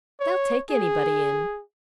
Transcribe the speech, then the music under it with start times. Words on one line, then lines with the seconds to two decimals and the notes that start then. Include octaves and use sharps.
They'll take anybody in.
0.20 C#5
0.70 G#4